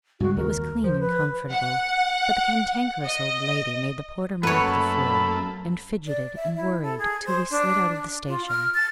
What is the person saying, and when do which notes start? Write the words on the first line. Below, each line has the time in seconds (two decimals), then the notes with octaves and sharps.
It was clean and comfortable; but the Cantankerous Old Lady made the porter mop the floor, and fidgeted and worried till we slid out of the station.
0.20 G2 C#3 G#3 F#4
0.37 D#2 A#4
0.84 F3 C5
1.00 B4
1.51 F#5
3.05 D#5
4.43 F#2 A3 A#3 A4 B4 C#5 B5
6.07 D5
6.36 E5
6.57 E4
6.82 A4
6.98 G#4
7.26 C5
7.50 D4
8.28 F4
8.48 F6
8.75 A6